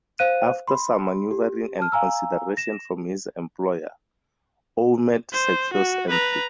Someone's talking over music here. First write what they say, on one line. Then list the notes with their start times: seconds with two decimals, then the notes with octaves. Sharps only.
After some maneuvering and consideration from his employer, Ouimet secures entry.
0.19 C5 F5 F#6 D#7
0.68 B5 C6
1.31 G4
1.79 A5 F6
1.92 F5 G#5 A#5 E6
2.57 A#6 E7
5.33 C5
5.74 F#4
6.10 B4 A#5